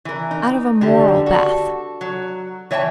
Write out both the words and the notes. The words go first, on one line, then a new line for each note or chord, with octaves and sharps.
Out of a moral bath.
E3 A#4
D#4
D3 G3 G4
F#4 A4
F#3
E3 C#5 E5 G5 A5